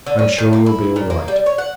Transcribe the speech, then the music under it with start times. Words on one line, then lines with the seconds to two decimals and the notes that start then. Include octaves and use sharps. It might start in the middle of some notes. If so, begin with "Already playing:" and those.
I'm sure you'll be all right.
0.06 D3
0.19 C#4
0.38 D#3
0.53 A#3
0.66 E4
0.96 A#2
1.10 A#3
1.28 G3
1.46 C#5
1.58 F#5